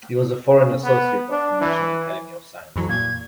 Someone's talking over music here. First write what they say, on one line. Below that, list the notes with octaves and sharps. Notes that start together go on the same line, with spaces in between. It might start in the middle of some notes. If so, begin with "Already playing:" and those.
He was a foreign associate of the National Academy of Sciences.
C#3
B3
D4
E3
F2 E3 F#3
A#2 G#6